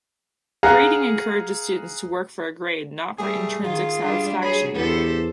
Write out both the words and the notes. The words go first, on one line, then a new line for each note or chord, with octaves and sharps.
Grading encourages students to work for a grade and not for intrinsic satisfaction.
G#4 F5 F#5 A#5
G3 A3 G#4
D#3 F4 G#4
G3 D4
F#3 G#4 C#5 B5
E2 B3 G4 A4 C5